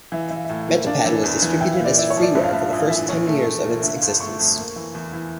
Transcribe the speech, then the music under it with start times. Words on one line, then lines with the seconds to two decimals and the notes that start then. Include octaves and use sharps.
Metapad was distributed as freeware for the first ten years of its existence.
0.12 E3 E5
0.20 F5
0.29 E3 E5
0.36 F5
0.44 E5
0.49 A2 F5
0.61 E5
0.68 A#3
0.80 E5
0.86 D4 F5
1.05 E3
1.23 E2
1.42 E3
1.61 E4 G5
1.73 F5
1.79 A#2
1.85 D5
1.98 E4 D5
2.10 C#5
2.16 F3
2.22 D5
2.35 G2 E5
2.44 F5
2.53 G2 E5
2.61 F5
2.70 A1 E5
2.80 F5
2.88 E3 E5
3.09 A#1 C#5
3.27 A3
3.46 A3
3.65 A#2
3.83 D3 E5
3.96 F5
4.02 G1
4.08 A5
4.20 A3 C#6
4.39 F2
4.57 A#3
4.76 E3
4.95 E2
5.13 E3